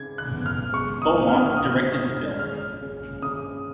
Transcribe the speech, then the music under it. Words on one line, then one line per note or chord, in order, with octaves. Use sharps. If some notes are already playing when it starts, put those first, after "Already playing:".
Beaumont directed the film.
Already playing: C#3 D#4 G#6
F#6
B3
F6
G#3 C#6
D#6
A#2
F6
F6
A#2 D#6
C#4
G#3 F6
C#3
C#3 D#6